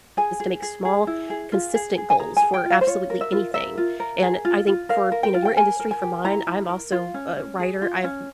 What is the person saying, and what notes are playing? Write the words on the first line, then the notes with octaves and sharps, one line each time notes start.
is to make small, consistent goals for absolutely anything. And I think for, you know, your industry, for mine, I'm also a writer. I've
G#4 G#5
G#4
G#4
G#4
E4
G#4
F4
G#4
G#4
G#5
G#4 A#5
G#5
G#4
G5
F4
F5
C5
F4 C#5
A#4
E5
F4
A#4 E5
F4
A#4
G#4
F4
F4
A#4 F5
A#4
G5
F4
G5
A#4 G#5
A#4
G#5
G4
E4 A#5
E4
A#4
F4
C#4
C#4
G#4
F4
C#4